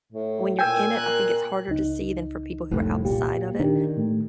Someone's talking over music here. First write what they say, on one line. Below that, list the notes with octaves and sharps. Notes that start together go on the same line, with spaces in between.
when you're in it, I think it's harder to see than for people who are outside of it,
A2
A#2 G5 G#5 E6
A#3 F#6
C#2 D#4
F1 C2 A2
A#2 G4
D#3 D4 G4
A2 A3